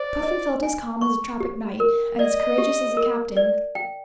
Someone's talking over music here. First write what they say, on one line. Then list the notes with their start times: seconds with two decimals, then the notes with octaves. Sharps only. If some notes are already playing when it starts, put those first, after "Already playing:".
Puffin felt as calm as a tropic night, and as courageous as a captain.
Already playing: C5 D5
0.23 D#5
0.63 G#5
1.01 C#6
1.40 G4
1.80 A#4
2.19 D5 D#5
2.58 G4
2.97 A#4
3.37 D5
3.75 G5